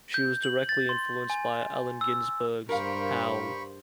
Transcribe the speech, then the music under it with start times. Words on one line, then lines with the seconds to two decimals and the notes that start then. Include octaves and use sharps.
She was directly influenced by Allen Ginsberg's "Howl".
0.14 G6
0.43 F#7
0.69 A6
0.89 C6
1.30 G#5
2.01 E6
2.69 G2 G4 A#4 C5 F5 B5 C#6